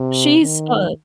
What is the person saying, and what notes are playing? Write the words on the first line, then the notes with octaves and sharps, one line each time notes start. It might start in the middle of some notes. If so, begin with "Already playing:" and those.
She's a
Already playing: C3
D#3